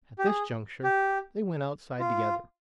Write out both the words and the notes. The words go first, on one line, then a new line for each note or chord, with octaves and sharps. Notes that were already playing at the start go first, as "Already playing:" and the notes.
At this juncture they went outside together.
G4
G#4
G4
F4